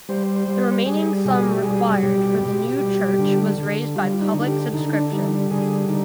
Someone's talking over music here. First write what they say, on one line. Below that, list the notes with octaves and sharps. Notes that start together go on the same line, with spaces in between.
The remaining sum required for the new church was raised by public subscription.
G3 C5
C5
G3
G3 G#4
B2 G#4
G4
G3 G#4
B2 G4
B2
G3
D3
D3
G3 F4
D#4
D3
G4
D3 D#4
D4
G3 D#4
D3 G#4
D3 D#4